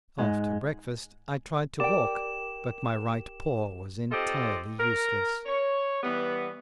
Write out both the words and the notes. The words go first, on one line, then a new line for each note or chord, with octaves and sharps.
After breakfast I tried to walk, but my right paw was entirely useless.
G#2 G#3
G4 A#4 D5 G5 D6 E7
C4 F4 G4 A4 D#5
A#4
C#5
E3 G3 B3